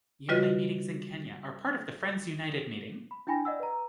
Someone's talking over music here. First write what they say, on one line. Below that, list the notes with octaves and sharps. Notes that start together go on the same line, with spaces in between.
Yearly meetings in Kenya are part of the Friends United Meeting.
C#3 G3 F4 F#4 B4 D#5
B5
D4 E4 G5 G#5 B5 A#6
D5 D#5 F#5 E6
B4 A#5